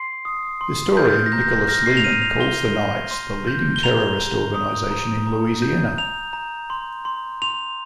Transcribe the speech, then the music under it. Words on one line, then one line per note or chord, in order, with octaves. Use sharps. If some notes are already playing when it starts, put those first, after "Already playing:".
Historian Nicholas Lemann calls the Knights the leading terrorist organization in Louisiana.
Already playing: C6 C7
D#6
C6
F6 G6
A#6
A#5 G6
F6 A#6
C7
F7
F6 D#7
F7
C6 G7
C6
C6
G6
G7
A#5 F7
A#5
D#6
A#5
A#5
G6
A#5 F7
A#5
C6
C6
C6 F7